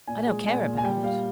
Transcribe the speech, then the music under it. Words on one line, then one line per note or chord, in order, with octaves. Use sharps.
I don't care about it.
A#2 G#5
G#3
A#2 G#5
A#2
G#5
G3 G5
G3 F5